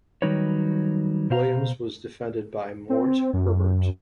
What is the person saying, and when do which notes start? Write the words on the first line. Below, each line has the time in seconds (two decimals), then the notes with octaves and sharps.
Williams was defended by Mort Herbert.
0.22 D#3 F#3 G3 D#4 B4 C#5
1.30 B2 C5 F5 A#5
2.90 C4
3.33 F#2